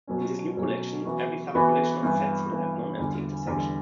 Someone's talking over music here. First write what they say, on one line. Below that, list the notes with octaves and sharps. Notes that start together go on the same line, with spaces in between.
In this new collection, every subcollection of sets will have nonempty intersection.
B2 F#3 C#4
B2 F#3 C#4
E3 B3 F#4
E3 B3 F#4
G2 E3 B3
G2 E3 B3
E2 D3 G3
E2 D3 G3